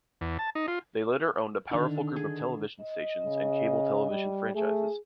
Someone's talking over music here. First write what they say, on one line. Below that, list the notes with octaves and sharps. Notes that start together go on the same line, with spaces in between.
They later owned a powerful group of television stations and cable television franchises.
E2
A5
D#4
F4
D3 D#3 D4 D#4
G#4
D#5
C#3
G3
A3 G#4